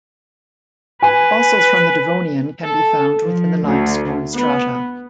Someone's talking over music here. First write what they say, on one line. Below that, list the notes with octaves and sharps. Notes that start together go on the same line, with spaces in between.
Fossils from the devonian can be found within the limestone strata.
B4 G#5
A4
F3
D2
B3